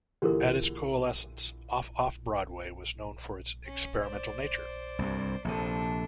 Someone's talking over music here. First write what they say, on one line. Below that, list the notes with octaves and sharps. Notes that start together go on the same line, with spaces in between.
At its coalescence, Off-Off-Broadway was known for its experimental nature.
A#2 D3 E3 G4 G#4 A#4
C#4
C5 D5
C2 G2
A#1 C3 D4 A4